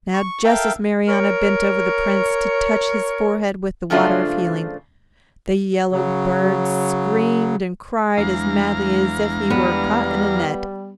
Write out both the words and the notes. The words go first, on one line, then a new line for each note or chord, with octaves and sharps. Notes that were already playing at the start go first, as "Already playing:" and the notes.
Now just as Marianna bent over the Prince to touch his forehead with the water of healing, the yellow bird screamed and cried as madly as if he were caught in a net.
C#6
A4 A#4 E5 F5 G5
A#4 C#5
G2 C#3 F3 A3 D4 F4
C#3 F#3
E2 G#3 D4 F5 A#5
G3 B3